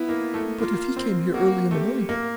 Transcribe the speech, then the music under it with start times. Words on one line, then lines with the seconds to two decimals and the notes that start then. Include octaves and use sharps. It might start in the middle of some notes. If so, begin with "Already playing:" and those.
But if he came here early in the morning.
Already playing: B3 E4
0.09 A#3
0.34 A3
0.59 A#3 F4
0.97 C4
1.33 A#3 F#4
1.71 A3 G4
2.09 A#3